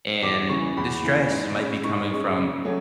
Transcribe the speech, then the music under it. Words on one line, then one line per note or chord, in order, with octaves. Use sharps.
and the stress might be coming from,
E2 D6
C#3 E3 C#6
E2 B5
C#3 E3
G#2
G#3 C#4
G#2 C#6
G#3 C#4
C#3
F#3 A3 C#4